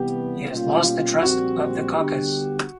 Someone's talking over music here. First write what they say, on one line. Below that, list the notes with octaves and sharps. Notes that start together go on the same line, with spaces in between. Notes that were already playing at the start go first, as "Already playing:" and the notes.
He has lost the trust of the caucus.
Already playing: C3 E3 G3 B3 G4
B2 G3 A#3 C#4 F4
A#1 A#2 G3 C4 F#4
D3 G3 B3 D4 G4